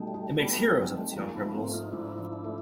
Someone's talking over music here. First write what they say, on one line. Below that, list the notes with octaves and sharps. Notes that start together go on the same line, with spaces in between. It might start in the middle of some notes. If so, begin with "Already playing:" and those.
It makes heroes of its young criminals.
Already playing: B2 G3 A3 D#4
D#4
G3 A3 B3
G#3 A#3
C4
F#3 G#3
D#4
G3 A3
F3 G#3 A#3
A3 B3
G#2
A#3 C4
A3
D#4 F4
G#2 D4 E4
F3
A3